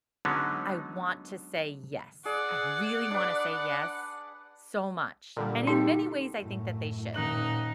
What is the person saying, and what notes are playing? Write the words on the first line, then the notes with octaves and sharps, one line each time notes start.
I want to say yes. I really wanna say yes, so much. And in many ways, I think that they should,
D3 F#3 G#3 B3 C#4 D#4
G#4 D5 F#5
D4 B4
A#2 D3 G3
D#4 G4 A4 A5
F#2 A2
D#1 D#4 F#6 F#7